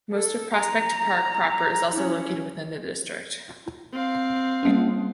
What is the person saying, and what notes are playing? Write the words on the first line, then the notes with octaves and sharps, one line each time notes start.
Most of Prospect Park proper is also located within the district.
A4
A#5
C#4 E4
C4 F5
G3 A#3 C#4